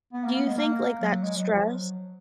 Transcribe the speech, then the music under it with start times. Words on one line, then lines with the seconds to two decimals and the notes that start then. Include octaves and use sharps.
Do you think, like, that stress
0.13 B3
0.24 A#3
0.35 B3
0.47 G#3
0.57 A#3
1.01 F#3
1.23 G#3
1.37 F#3
1.50 F3
1.63 F#3